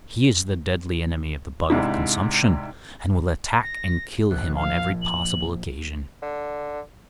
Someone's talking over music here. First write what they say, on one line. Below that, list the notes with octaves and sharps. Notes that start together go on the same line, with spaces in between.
He is the deadly enemy of the bug of consumption, and will attack and kill him on every possible occasion.
G#2 C3 D4 E4
A#6
A#1 F#6
F5
F#7
D3